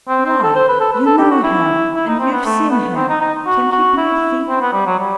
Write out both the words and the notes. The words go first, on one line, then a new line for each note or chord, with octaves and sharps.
"Why, you know him, and you've seen him, can he be a thief?"
C4
C4
A4
C5
B4
A4
B4
A4
G4
F#4
E4
E4
D#4
C4
B3
A3
B3
C4
D#4
D#4
F#4
F#4
E4
C4
B3
G3
F#3
G3